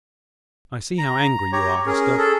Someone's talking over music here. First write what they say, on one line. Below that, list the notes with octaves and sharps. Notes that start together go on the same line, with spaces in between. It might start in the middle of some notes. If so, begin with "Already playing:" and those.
I see how angry you are, Hester.
A#5
G4 C#5 A#5
C#4 G#4 A#4
G#4 A4